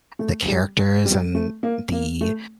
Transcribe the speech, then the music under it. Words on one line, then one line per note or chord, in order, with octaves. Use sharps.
the characters and the
A3
G3
G3
A3
A#3
A#3
A3